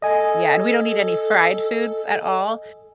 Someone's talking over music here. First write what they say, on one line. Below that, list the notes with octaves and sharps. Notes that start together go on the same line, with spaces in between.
Yeah, and we don't eat any fried foods at all,
A4 D#5 G#5